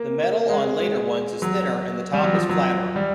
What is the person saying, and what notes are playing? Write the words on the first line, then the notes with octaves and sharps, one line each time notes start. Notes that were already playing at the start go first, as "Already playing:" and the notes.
The metal on later ones is thinner and the top is flatter.
Already playing: A#3
G#3
G#3
F#3
G3
F#3
F3
F#3
G3